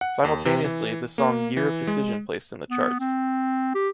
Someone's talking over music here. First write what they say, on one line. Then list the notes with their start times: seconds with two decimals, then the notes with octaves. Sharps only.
Simultaneously, the song “Year of Decision” placed in the charts.
0.01 F#5
0.25 D#2
0.45 C3
0.64 E3
1.18 A#3
1.57 E3
1.87 G#3
2.70 B3
3.00 C4
3.75 G4